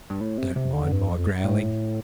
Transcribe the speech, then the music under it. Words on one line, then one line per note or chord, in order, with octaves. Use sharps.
Don't mind my growling.
G2
A2
C3
C3
D3
G2
F2
A2